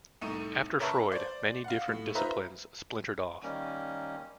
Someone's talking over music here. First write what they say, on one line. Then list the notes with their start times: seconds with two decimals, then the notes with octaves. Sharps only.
After Freud, many different disciplines splintered off.
0.21 C2 A2 D#4 C#6 D#7 E7
0.79 C#4 A#4 B4 E5 A5 C#6
1.12 C5 D5
1.64 F5 F#5
1.88 A2
2.15 D#4 F4 B4 C5 E5 A#5
3.43 D#3 G3 A#3 C#4